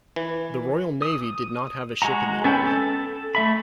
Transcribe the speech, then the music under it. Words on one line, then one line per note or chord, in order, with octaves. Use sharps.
The Royal Navy did not have a ship in the area.
E3
D#6
G#3 F#4 F#5 A#5
B3 C#4 A4 G5 B5
A4
A3 E5 B5